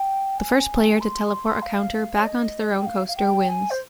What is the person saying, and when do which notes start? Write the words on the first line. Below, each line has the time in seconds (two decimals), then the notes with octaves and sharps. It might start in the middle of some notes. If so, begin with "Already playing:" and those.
The first player to teleport a counter back onto their own coaster wins.
Already playing: G5
0.38 G#5
1.00 C6
1.62 F5
2.19 C#5
2.24 D#5
2.77 G5
2.86 F5
3.08 F5
3.17 G5
3.48 G#5
3.70 C5